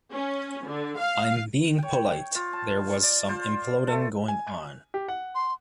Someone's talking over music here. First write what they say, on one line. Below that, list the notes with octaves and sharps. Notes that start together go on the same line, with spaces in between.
I'm being polite-there was some imploding going on.
C#4
D3
F5
C#5 G5
F4
A5
D5
F4 C5
A3 A4
G#5
G4
F#5
C6